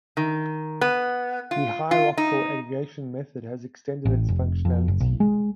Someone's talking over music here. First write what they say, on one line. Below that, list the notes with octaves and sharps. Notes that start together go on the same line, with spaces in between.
The Hierarchical Aggregation method has extended its functionality.
D#3
B3
F4
F4
D#4
A1
F1
F2
F#1
B1
G#3